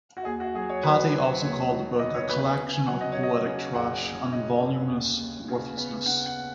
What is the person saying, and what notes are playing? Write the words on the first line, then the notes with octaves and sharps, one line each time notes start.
Pattee also called the book a "collection of poetic trash" and "voluminous worthlessness".
F#4
D#2 G#4
F#4
F#3 G#4
C#5
F#3 B4
F#3
D#2 C#5
D#3
B3 D#5
C#5
B3 B4
B4
G#4
C#3
G#5
F#3 F#5
D#5
F#3 C#5
D#5
C#3
F#1 F#5
F#1
C#3 D#5
C#3
D#2
D#2
C#3
B3
C#3 F#5
F#5